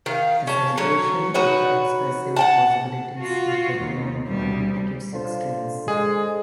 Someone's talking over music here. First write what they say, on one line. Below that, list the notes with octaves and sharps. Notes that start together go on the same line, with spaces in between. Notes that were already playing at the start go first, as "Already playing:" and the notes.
A celebration of the expressive possibilities of the human body at its extremes.
D#3 F5
C#4 A5
F#3 C#4 C#5
D#4 F#4 B4 C#5
F#5 G5 A5
F4 F#4
D#2
D2 G3
D3 F4 C5
G#3 G#4